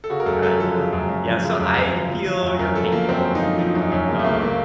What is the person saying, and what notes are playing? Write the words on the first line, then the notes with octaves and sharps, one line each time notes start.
God yeah. Yeah, so, I feel your pain completely, um,
A4
C#3 F#4
A#4
F#2 A4
F#2 A4
F3 A4
C#3
F#2
F#2
F3
C#3
F#2
F#2
F3
F3
F3
F#2
F#2 A#4
F3 A4
F3 A#3
F#2 C4
F#2
D#4
F3 F4
F3 D#4
F#2 D#4
F#2 C#4
C#3 A#3
A3
C#2 A#3
A#3